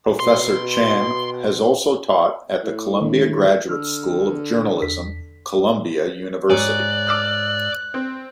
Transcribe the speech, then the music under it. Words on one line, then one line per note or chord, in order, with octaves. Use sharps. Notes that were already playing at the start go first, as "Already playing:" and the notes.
Professor Chan has also taught at the Columbia Graduate School of Journalism, Columbia University.
B2 C6
A2
D#3 G#3 D4
D3 E6 F6
E2 B6
G#2 C#5 D5 G#5 F#6
D6 E6 F6
C4